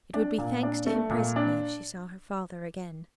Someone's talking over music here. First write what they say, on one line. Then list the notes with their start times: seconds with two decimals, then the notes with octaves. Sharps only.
It would be thanks to him presently if she saw her father again.
0.14 D4
0.38 A#2
0.63 D4
0.86 A3
1.11 A#2
1.36 D4